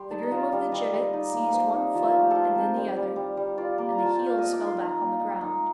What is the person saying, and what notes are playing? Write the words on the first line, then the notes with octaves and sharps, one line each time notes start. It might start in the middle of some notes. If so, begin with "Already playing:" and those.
The groom of the gibbet seized one foot and then the other, and the heels fell back on the ground.
Already playing: G3 C6
D#4 A5
D#5
F4 F5
G3
G3 D#5
G3
D#4
A#3
A#3 C5
D#4
F3
F4
A3 G4
F4 A4
A#4
C4 C5
G3 C5
G3
G3
G3
F4 D5
A#3
A#5
F4
A5
F4 G5
F5
A#3 D#5
D6
D#4
C6
D#4 A#5
A#3
D#4
D#4